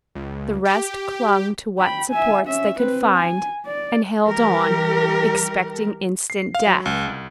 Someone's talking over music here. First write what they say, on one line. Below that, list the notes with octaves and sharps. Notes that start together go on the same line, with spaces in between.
The rest clung to what supports they could find and held on expecting instant death.
C#2
G4
G5 B5
E5 G#5
C#4 E5
C4 B4
G#5
D5
E3 G3 G4 A#4
C7
F5
F#3
C#2
C2